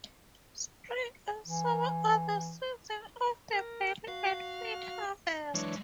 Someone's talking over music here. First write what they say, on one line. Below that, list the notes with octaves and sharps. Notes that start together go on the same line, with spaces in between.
Spring and summer are the seasons of the barley and wheat harvests.
E3
A#4
F#4 F5
E3 F#3 G#3 D4 C#5